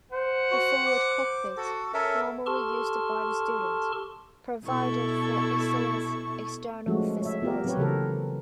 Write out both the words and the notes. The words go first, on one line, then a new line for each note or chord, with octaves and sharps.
The forward cockpit, normally used by the student, provided for excellent external visibility.
C5 F#5
F#4
D6
F#4 A4
C#4 A4 A#4 E5
G4 A4 A5 C6 C#6 F6
B2 E4 A4 C#6
F3 G#3 A3 C#4 F#4
C#5 E5
B3 F4 G4 A#4
F#3 C4 G4 B4 C#5
C#3 E3 A4 A#4